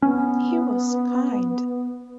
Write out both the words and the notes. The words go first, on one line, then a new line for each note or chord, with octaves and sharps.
He was kind.
B3 C#4